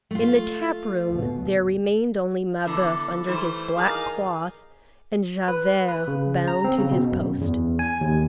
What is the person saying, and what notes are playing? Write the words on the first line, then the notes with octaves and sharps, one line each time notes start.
In the tap-room there remained only Mabeuf under his black cloth and Javert bound to his post.
A3 F4
D2 B2
E2 D3 E3 A4
E3 G3 A3 C5
D#4 G#4 A#4 D5 F5
B4
B4
C#3
A#5
C4
C#3
B2
F#2
E2
G#5
D#2